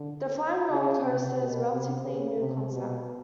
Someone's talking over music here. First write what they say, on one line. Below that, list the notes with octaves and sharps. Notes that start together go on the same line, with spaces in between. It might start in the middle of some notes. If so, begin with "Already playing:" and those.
The flying roller coaster is a relatively new concept.
Already playing: D3
C#3
C3
B2
C3
C#3
C3
B2